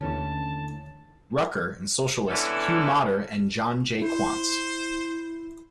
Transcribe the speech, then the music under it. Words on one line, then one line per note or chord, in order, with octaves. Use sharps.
Rucker, and Socialists Hugh Motter and John J. Quantz.
D#2 D3 E3 A3 C#4 A5
B2 D3 E3 C#4 D4 A4
E4 C5